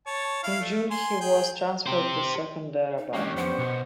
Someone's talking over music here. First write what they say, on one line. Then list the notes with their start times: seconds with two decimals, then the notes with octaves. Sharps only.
In June he was transferred to Secunderabad.
0.07 C#5 A5
0.43 E4 F5
0.61 A3
0.91 G#5 C6
1.21 G#4 G5
1.87 G4 C5
2.98 D#4
3.13 E3 G#3 A#3 C#4 D4 G4
3.36 F2 B3 C5 F#5
3.59 B1